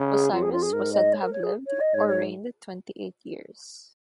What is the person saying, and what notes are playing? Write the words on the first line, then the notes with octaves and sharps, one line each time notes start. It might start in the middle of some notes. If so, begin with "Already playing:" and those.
Osiris was said to have lived or reigned twenty-eight years.
Already playing: C#3
G#4
F2 F4
G#4
F4
G#4
G#2 A#4
D#5
C#5
A#4
C#5
G#4
C#5
D#5
G#2 C#5
C#5